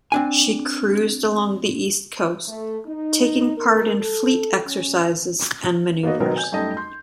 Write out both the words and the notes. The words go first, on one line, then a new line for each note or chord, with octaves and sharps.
She cruised along the east coast, taking part in fleet exercises and maneuvers.
C4 D4 G#5
A3
D#4
A#4
A4
C#4
A#3 B3 D#4 F#4 D#5
B2 D#3 F#3 B3 C4 A#4
G#5 G6
F#2 G3 A3 D#4 D#5 A5
C6 G6